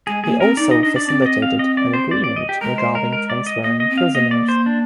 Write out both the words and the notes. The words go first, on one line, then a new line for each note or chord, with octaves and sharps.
He also facilitated an agreement regarding transferring prisoners.
G#3 G#4
A#3 G#4
C4 A#4
D#4 D5
D#5
D4 D#5
D5
C4 D5
D5
D#5
F5
D#5
D5
C5
D5
D5
D#5
G4
G#3 A#4
C5
A#4
A#4
D5
D#5
A#3 D#5
D#5
C4
F5
A#3 D#5
D5
C5
D4